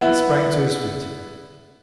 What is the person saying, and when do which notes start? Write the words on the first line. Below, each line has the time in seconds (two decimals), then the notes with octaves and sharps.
He sprang to his feet.
0.01 B3 E4